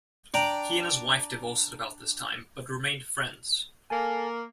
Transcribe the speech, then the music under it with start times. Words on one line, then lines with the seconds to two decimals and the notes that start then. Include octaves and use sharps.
He and his wife divorced at about this time but remained friends.
0.34 D4 D5 G5 A#5
3.90 A#3 A4 G#5